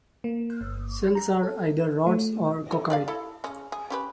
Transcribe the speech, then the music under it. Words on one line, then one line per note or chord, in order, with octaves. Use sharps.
Cells are either rods or coccoid.
A#3
G1
A#5
A4
A3
A4
A#4 D5 F5
E4 A4
C#3 C#4
G#4
C#4 G4 B4